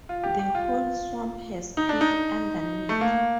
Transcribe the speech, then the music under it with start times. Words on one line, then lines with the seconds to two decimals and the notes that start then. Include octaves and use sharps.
The whole swamp has peat underneath.
0.09 F4
0.23 G4
0.39 G4
0.55 F4
1.77 D#4
1.89 D4
2.01 D#4
2.89 A3
3.01 A#3